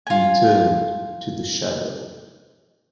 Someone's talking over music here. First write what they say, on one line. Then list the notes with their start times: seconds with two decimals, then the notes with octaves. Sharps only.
He turned to the Shadow.
0.07 F4 G#5